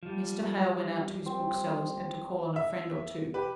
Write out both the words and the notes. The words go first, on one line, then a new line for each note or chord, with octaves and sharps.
Mr. Hale went out to his bookseller's, and to call on a friend or two.
F3 G3
C4
E5
G4 B4